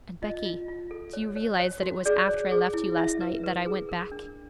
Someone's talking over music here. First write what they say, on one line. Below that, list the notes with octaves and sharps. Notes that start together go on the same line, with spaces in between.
'And Becky, do you realize that it was after I left you last night that I went back?
F4 D#5
F4
F4
A4
C#5
C#5
C#5
F#4
G#4 D5
C#5
G#4
E4
E4 E5
B4
B4
G#4
A#4
D4